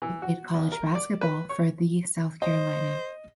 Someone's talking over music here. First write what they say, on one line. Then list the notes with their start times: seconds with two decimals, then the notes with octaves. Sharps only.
He played college basketball for the South Carolina.
0.02 E3
0.22 F#4
0.54 E2
0.72 A#4
0.95 D5
1.21 B4
1.49 C#5
2.42 C5 D#5